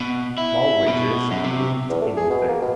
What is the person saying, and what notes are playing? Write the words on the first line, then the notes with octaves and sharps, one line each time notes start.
Small wages. Will eat anything.
B2
E4
B2
F#2
C3
E2
A3
G#4
B2
A#3
B2